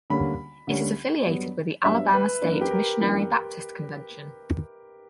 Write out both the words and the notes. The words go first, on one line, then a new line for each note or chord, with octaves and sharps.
It is affiliated with the Alabama State Missionary Baptist Convention.
D2 D3 G3 A#3 C#4 B5
D2 D3 G3 A#3 C#4
G2 F#3 B3 D4
G2 F#3 B3 D4 E5
B4
F#2 E3 A#3 D4 B4
A#4
G4
A#4
F#2 E3 A#3 D4